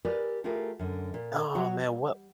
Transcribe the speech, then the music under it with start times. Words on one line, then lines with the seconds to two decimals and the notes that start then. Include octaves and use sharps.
Aw, man, what
0.05 G4 A#4 B4 D5 G#5
0.44 A3 E4 F4 G4 G#4 A#4
0.79 F#2 D3
1.14 A#2
1.55 F#3 F#4 C#5
1.81 G3